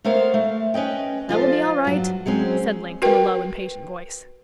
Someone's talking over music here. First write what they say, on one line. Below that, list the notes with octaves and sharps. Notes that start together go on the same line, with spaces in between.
"That will be all right," said Link in a low, impatient voice.
A3 B3 A#4 C5 C#5 F5
A3
C#4 B4 D#5 G5
F3 F4 A4 C5
G2 F#3
F#3 G#3 C4 C#4
F#4 A#4 B4 G5